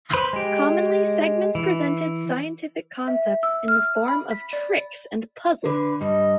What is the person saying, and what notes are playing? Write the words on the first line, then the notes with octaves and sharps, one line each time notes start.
Commonly, segments presented scientific concepts in the form of tricks and puzzles.
B4 C5 B5 C6
G#3 G4
E3
E5
E6
F6
B5
B6
D5
D3 B4
G2 G3 D#5